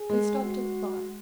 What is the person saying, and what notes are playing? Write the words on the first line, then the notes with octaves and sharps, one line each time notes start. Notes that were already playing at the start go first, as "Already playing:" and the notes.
They stopped at the bar.
Already playing: G#4
G#3
F#4